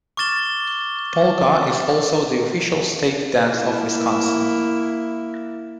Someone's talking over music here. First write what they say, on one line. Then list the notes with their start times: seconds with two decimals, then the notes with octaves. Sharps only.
Polka is also the official State Dance of Wisconsin.
0.17 C#6 D6 F6 A6 E7 G7
3.45 A#3 E4